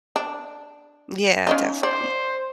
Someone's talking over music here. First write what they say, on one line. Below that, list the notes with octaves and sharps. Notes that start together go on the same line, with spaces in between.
Yeah, definitely.
D4
C#4 D#4 F4
C5 D5